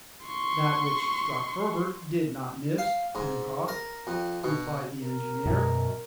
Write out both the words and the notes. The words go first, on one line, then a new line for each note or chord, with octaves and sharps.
"That which struck Herbert did not miss, Pencroft," replied the engineer.
C6 C#6
F5
G#2
A#4
F2
B2
A#4
F#2 B2